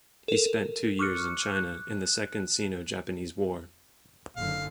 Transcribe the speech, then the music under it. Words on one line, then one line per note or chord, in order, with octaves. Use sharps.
He spent two years in China in the Second Sino-Japanese War.
A4 A#4
C#6 D6 F6 F#6 C#7
F#6
F#1 D3 F5